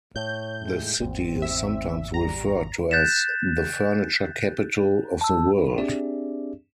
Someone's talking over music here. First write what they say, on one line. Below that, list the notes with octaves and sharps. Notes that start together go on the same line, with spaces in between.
The city is sometimes referred to as the "Furniture Capital of the World".
A2 C#5 G6
G#3
G#1 E2 C4
E5
G3 A#5
F#6 G6 A6 B6 E7
A5 E6
C4 D4 G4 G#4 D5 E5